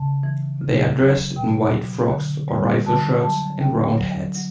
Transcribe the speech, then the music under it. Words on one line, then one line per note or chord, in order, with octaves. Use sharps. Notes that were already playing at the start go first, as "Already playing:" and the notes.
They are dressed in white frocks or rifle shirts and round hats.
Already playing: C#3 A5
E3
C#3
F#3
B2 G5
F#3
D3
G3
D3 A5
F#3 A5
D3 G5
F#3
F#3